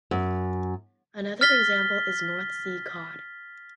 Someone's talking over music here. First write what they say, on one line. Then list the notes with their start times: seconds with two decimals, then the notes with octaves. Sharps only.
Another example is North Sea cod.
0.11 F#2
1.41 F6 A6 B6 G7